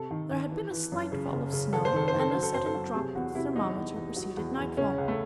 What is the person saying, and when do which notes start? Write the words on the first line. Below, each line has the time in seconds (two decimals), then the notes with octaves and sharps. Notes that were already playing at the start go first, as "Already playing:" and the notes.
There had been a slight fall of snow, then a sudden drop in the thermometer preceded nightfall.
Already playing: C3 A4
0.10 D#3
0.31 D#3
0.51 E3
0.71 E3
0.92 F#2
1.12 C#3
1.32 F#1
1.52 C#3
1.73 G#1 A4
1.85 C5
1.93 D#3 A4
2.08 C5
2.14 D#3
2.19 A4
2.31 F#3 C5
2.43 A4
2.54 F#2 C5
2.66 A4
2.74 F#3
2.95 C3 G#4
3.15 E2 F#4
3.35 C3 E4
3.56 E2 D#4
3.76 E2
3.96 E2
4.16 F#3
4.37 E2
4.58 E2
4.77 C#3 C#4
4.98 C#2
5.08 A3